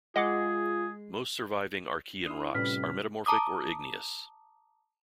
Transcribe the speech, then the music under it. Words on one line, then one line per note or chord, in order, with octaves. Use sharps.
Most surviving Archean rocks are metamorphic or igneous.
G#3 F4 G#4 D#5 F#5 D6
D4 E4 C6 D#6
A2 C3 G3 C#4 F4 B4 F6 B6
A5 A#5 D6 D#6